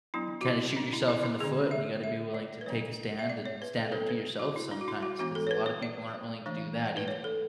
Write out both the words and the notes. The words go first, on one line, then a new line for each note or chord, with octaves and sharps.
kinda shoot yourself in the foot, and you gotta be willing to take a stand and stand up to yourself sometimes 'cause a lot of people aren't willing to do that either.
F#3 B3 D4 E4
F#4
E4
D4
E4
E4
E4
D3 G#3 B3 D4 G#4
E5
E5
D5
B4
F#3 B3 D4 C#5
E5
D5
C#5
B4
A4
F#3 B3 D4 A4
B4
F#4
E4
D4
F#4
E4
F#4
E3 G#3 B3 D4 F#4
A4
C#5
B4
C#5
D5
E3 A3 D4
B4
C#5
A4